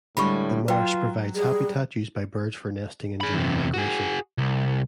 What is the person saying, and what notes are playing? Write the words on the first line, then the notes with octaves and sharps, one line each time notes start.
The marsh provides habitat used by birds for nesting and during migration.
A2 D3 G3 G#3 B5 C#6
F#3 F4 B4 G5
G3 G#4
G#4 B5
E2 C3
F#4 G#4
C2